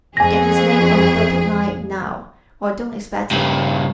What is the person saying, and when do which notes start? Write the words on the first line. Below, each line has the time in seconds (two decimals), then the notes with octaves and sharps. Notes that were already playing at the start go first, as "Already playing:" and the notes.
Get his name on the dotted line NOW, or don't expect it.
0.17 F2 G#4 G#5 A#6
3.31 G2 C#3